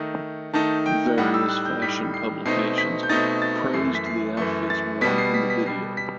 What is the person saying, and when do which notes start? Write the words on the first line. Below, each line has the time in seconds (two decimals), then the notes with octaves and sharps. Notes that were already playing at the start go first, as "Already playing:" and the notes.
Various fashion publications praised the outfits worn in the video.
Already playing: D#3 A3 D#4
0.53 D#3 A3 D#4 A5
0.86 G5
1.17 A2 G3 D#4 F#5
1.34 E6
1.49 F#6
1.65 G6
1.82 A2 G3 D#4 B6
2.14 C7
2.45 B2 A3 C4 D#4 C7
2.78 B6
3.03 G6
3.09 B2 A3 C4 D#4 A6
3.42 A6
3.73 F#2 E3 A3 C7
3.95 B6
4.06 C7
4.37 F#2 E3 A3
4.70 A6
5.01 B2 G3 B3 B6
5.18 C7
5.34 B6
5.50 B6
5.65 B2 G3 B3 C7
5.97 B6